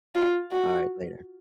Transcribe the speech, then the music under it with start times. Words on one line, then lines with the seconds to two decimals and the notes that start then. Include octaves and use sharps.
Alright, later.
0.15 F4
0.52 F#4